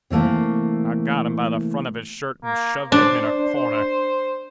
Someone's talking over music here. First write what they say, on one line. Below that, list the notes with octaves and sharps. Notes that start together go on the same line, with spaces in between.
I got him by the front of his shirt and shoved him in a corner.
C3 E3 A3 A#3
A#3
D4 C5